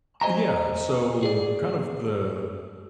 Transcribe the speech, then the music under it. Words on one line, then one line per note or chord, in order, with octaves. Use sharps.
Yeah, so, kind of the
C5 D#5 G#5 A#5
G#4 D5